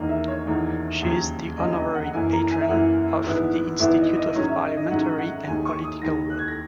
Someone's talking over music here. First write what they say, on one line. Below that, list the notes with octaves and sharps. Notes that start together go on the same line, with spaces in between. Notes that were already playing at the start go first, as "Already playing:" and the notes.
She is the Honorary Patron of the Institute of Parliamentary and Political Law.
Already playing: E1 E2 D#3 A#3 D#5
E5
C#5
E1 E2 D#3 A#3
E1 D#2 C#3 F#3
E1 D#2 C#3 F#3 D#5
D#5
F#5
F#5
F#2 E3 A#3 E4 G#5
A#5
G#5
E5
F#2 E3 A#3 E4 F#5
G#1 G#2 E3 B3 E4
G#1 G#2 E3 B3 E4 E5
D#5
D#5
G#2 D#3 F#3 C#4 C#5
E5
D#5
D#5
G#2 D#3 F#3 C#4 F#5
F#5
D#2 D#3 G#3 G#5
C#6
D#6
D#2 D#3 G#3 A#6
F#6
G#6
A#6